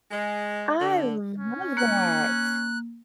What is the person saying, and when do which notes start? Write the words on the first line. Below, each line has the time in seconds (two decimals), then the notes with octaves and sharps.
I love that.
0.11 G#3
0.80 D3
1.38 C#4
1.77 A#3 F#6